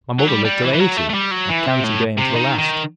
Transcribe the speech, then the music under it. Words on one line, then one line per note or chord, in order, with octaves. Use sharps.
My mother lived till eighty, a canty dame to the last.
F#3
G3
G3
E3
E3
F#3
A3
A3
G3
F#3
E3
C3
A2
C3
D#3
D#3